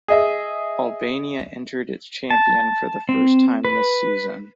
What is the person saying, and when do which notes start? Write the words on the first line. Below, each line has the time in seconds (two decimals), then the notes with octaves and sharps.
Albania entered its champion for the first time this season.
0.08 G#4 D#5 E5
2.30 A5
3.09 C4
3.65 B4